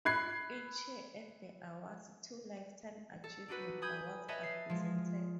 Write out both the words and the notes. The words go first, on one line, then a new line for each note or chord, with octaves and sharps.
Each year at the awards, two lifetime achievement awards are presented.
B5 F#6 G#6 C7
A4
D4 D#4 F#4 B4
G#5 B5 D#6 G6 G#6
B4 C#5 D#5 E5 A5
C7
F3 G#3